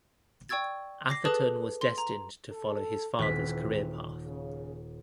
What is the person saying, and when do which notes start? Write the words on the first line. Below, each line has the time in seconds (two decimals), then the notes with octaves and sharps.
Atherton was destined to follow his father’s career path.
0.49 D5 G5 C#6 E6 G#6 A6
1.09 D6 A#6 C7
1.25 G#4 A4 B4 A5 D#6 F#6
1.81 C6
1.98 A#5
2.51 A4
3.19 D#1 G#2 E3 C4 F#6 B6
4.24 C#3